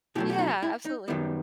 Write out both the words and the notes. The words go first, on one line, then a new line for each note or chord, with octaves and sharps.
Yeah, absolutely.
B2 F#3 A3 E4 G4
G4
D#4 F#4
E4
D#4
F#2 D#3 G3 B3 E4